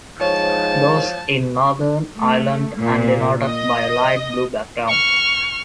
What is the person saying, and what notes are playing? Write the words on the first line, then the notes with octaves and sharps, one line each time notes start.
Those in Northern Ireland are denoted by a light blue background.
G#2 F3 C#5 A5
A3
A#2
D#5
C#6 F6